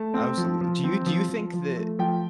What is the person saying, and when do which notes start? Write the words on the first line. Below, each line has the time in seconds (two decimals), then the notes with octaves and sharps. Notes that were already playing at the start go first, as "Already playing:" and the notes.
Absolutely. Do you do you think that
Already playing: A3 A5
0.14 C4
0.37 F3
0.61 F3
0.84 C4
1.06 F3
1.29 F3
1.53 F3
1.77 A3
1.99 F3 G5